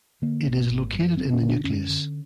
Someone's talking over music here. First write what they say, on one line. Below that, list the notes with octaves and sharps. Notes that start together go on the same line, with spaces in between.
It is located in the nucleus.
D3 A#3
G#1
G#1
F#2
F#1 C4
C#4
D3
D4
F#2 C#4
D3